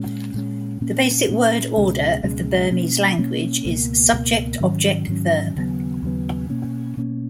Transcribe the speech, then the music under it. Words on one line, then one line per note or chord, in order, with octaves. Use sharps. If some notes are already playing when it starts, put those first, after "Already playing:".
The basic word order of the Burmese language is subject-object-verb.
Already playing: A#2 G#3 C#4
A#2 G#3 C#4
A#2 A#3 C#4
A#2 A#3 C#4
C#2 B2 G#3 C#4
C#2 B2 G#3 C#4
B2 A#3 C#4
B2 A#3 C#4
C#2 B2 A#3
C#2 B2 A#3
G#2 D#3 F#3 C#4
G#2 D#3 F#3 C#4
D#2 C#3 F#3 B3
D#2 C#3 F#3 B3
B2 A#3 C#4
B2 A#3 C#4